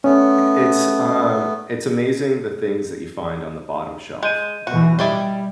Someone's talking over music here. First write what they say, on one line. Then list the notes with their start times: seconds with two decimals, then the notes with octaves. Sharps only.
It's, um it's amazing the things that you find on the bottom shelf, you know,
0.04 A3 B3 C#4
4.23 G#3 D#5 G6 D#7
4.67 B2 E3 F#4
4.99 G3 E4 G4 D5 D#5 G5